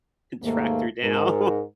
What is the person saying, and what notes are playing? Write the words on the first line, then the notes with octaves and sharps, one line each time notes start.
tracked her down
D#2 G#2 A3 A#3
G#2 A#4